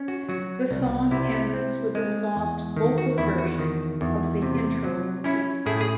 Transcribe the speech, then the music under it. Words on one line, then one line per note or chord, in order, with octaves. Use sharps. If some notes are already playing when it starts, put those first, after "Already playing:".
The song ends with a soft vocal version of the intro motif.
Already playing: C#4
F#4
F#3 F#4
C2
C3 E4
C4
G#3
E2
D#3
F#4
E2 E4
F#4
D#3
E2
C3
F#3
C#4 E4
A2 E4 G#4
G#4